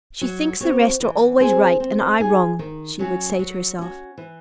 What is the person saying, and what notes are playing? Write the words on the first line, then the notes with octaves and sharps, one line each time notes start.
"She thinks the rest are always right, and I wrong," she would say to herself.
F#3
C4 F#4 C#5
E3
C4 E4 G#4 C5
C4
D#4 G#4
D#3
F#3 C#4 F#4
F#3
C#4 F#4
E3